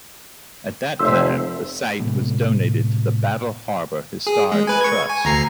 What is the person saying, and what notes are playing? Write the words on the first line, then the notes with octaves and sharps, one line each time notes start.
At that time the site was donated to the Battle Harbour Historic Trust.
F1 C5 E5
A2 C3 G#3 B3
G#4
G#3
B4 G#5
C#6 G#6
G#5
D2 A#5 C7